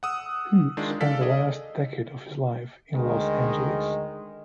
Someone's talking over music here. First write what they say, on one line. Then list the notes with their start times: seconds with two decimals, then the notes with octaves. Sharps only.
Hu spent the last decade of his life in Los Angeles.
0.03 F#5 D#6 E6
0.77 D#3 G#3 D4 F4
1.01 A4 D5 F5 B6
1.21 G#4 D5 D#5
2.93 D2 D#3 G#3